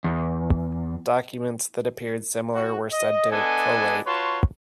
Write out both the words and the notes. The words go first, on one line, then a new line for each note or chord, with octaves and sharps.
Documents that appeared similar were said to "collate".
E2
F#4
D#5
B3 D4 A4 D#5 G#5
F4 F#4 B4 C#5 A5 C6